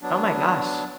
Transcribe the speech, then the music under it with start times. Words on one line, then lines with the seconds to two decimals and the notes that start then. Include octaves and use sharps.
Oh, my gosh.
0.02 F#3 B3 D4